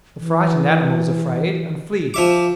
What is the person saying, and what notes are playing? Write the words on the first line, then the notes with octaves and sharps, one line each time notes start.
The frightened animal is afraid and flees.
E3
F3 E5 D6